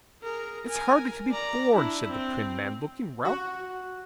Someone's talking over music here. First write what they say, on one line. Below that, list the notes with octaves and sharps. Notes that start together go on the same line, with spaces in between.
'It's hardly to be borne,' said the prim man, looking round.
G#4 A#4
A#4 G#5
D5 A#5
D4 E4
C4
F#4